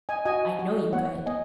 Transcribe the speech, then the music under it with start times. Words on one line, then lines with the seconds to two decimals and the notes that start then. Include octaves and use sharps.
"I know you could."
0.09 D#5 G#5
0.25 F#4 D#5 G#5
0.59 F#4
0.92 B3 C#5 F#5
1.26 B3 D#5 G#5